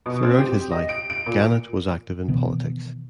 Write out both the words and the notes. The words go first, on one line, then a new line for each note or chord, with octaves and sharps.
Throughout his life, Gannett was active in politics.
B2
C4
G4
D#5
D7
D7
A#2
B2 D#3 E3 B3